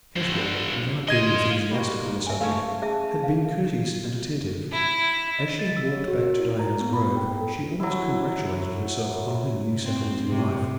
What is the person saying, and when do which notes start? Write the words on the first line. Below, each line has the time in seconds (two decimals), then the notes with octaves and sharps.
Caswall, without being enthusiastic on the subject, had been courteous and attentive; as she had walked back to Diana's Grove, she almost congratulated herself on her new settlement in life.
0.16 G2 D3
1.08 A#3 D#5 C6 G#6 D#7
1.71 G3 A#3 F#4
2.27 E5 G#5
2.41 A3 C#4 C#5 F5
2.82 G#4 E5 A5
3.24 F5
4.71 E4
5.39 D#5
5.59 A6
5.77 E6
5.92 C#5
6.08 F#4
6.21 A#4
6.39 E4
6.59 A#5
6.80 B3
6.93 B5
7.17 G5
7.41 A4
7.80 F#3 E4
9.84 C4
10.28 C3